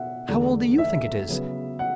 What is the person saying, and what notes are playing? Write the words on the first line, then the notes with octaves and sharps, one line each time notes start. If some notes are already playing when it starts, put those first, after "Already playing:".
"How old do YOU think it is?"
Already playing: B2 B3 E5 F#5
E2 D3 A3
E5
C#3 F#3 B3
F#5